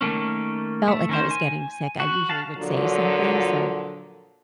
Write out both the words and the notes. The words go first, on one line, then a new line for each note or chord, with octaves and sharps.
felt like I was getting sick, I usually would say something, so
D#3 A3 A#3 C#4
A3
D#3 C#4 C5
G#5
F#4
F5 A5
A#2 D3 F3 F#3